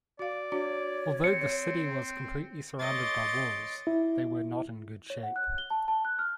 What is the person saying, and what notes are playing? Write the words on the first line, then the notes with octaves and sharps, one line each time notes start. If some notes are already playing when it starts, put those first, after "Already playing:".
Although the city was completely surrounded by walls, they were not in good shape.
F#4 D5 F5
D4 F#4 C#5
C4 C#7
C#5 D#5 C6 D6 A6
E4
C#5
F#5
F#6
G7
A5
A5
F#6
F6